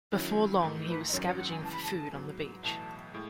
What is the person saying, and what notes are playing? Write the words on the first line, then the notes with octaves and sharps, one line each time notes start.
Before long he was scavenging for food on the beach.
D#3 F#3 C#4 E4
G#2 E3 A3 D#4
B4
D#5
G#1 F#2 D#3 F#3 C#4 C#5
C#5
F#5
G#5
C#3 E3 G#3 A5
B5
A5
G#2 F#3 B3
B1 A2 E3 A5
A2 G#3